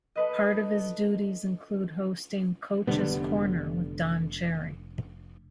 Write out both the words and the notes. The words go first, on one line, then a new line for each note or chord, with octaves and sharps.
Part of his duties include hosting "Coach's Corner" with Don Cherry.
A4 B4 D#5
F1 D3 G3 B3